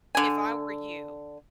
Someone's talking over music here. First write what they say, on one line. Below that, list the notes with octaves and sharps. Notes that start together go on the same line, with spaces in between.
if I were you,
D3 G#5